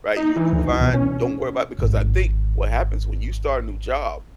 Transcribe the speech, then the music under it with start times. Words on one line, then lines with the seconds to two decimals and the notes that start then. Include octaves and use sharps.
Right, you will do fine, don't worry about, because I think what happens when you start a new job,
0.17 D#4
0.36 E3
0.53 D2
0.69 C2
0.81 B2
0.94 C#4
1.79 D1 G#1